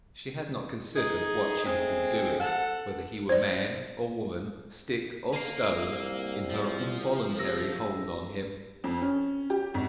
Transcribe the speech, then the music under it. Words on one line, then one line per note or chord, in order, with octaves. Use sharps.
She had not considered what she had been doing; whether he were man or woman, stick or stone, in her involuntary hold on him.
D#4 G#4
G#3 A3 C4
A4 F#5
C5 D5
A#3 C7 D#7
C2 E6
F3
C3 E6 A#6
F2
C#4
G4
G#1